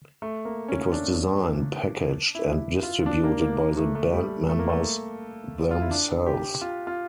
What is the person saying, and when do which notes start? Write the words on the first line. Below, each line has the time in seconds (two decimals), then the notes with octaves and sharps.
It was designed, packaged and distributed by the band members themselves.
0.22 A3
0.45 A#3
0.68 C#4
0.92 D4
2.35 E4
2.83 F4
3.06 D4
3.24 A#3
3.41 A#3
3.59 A#3
3.77 A3
3.95 A3
4.13 G3
4.49 A3
4.59 A#3
4.69 A3
5.71 F4
5.81 E4
5.91 D4
6.26 G4
6.61 F4
6.87 F4